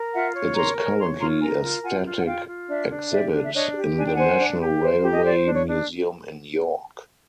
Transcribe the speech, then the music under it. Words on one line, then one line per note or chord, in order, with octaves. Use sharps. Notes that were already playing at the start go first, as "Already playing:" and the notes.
It is currently a static exhibit in the National Railway Museum in York.
Already playing: A#4
F4 E5 F#5
C#5
A#4 A#5 C6
C#5
C#5 A#5 C6
F4 A#5 C6
A#4 G#5 A#5
F4
F4 F#5 G#5
F4
F#5
F4 F5 G5
F4
D4 D5 E5
D4
G4 D5 E5
D4
E5
D4 C#5 D#5
G4
D4 G#5
G5
C5 F#5 G#5
D4
G4
C5
G4
D#5
C5 D5
D4
C#5
D4